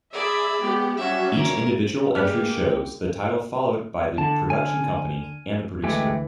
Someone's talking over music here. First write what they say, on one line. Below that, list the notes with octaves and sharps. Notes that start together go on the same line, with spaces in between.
Each individual entry shows the title followed by the production company, and the producer.
G#4 D5 E5 B5
G#3 B3 G4
F#3 G3 C#4 F#4 E5
A#4
G#3 A#3 D4 G4 G#4 B4 F6
D3 A5
G#5 F6
D2 E3 G#3 A3 G4